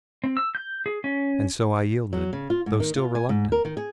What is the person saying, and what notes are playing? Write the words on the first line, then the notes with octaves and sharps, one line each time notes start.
And so I yielded, though still reluctant.
C4
E6
G6
G#4
C#4
F#3
C#3
F4
G#2
D#3
F4
G#5
G#2
A#4
D#3
G#4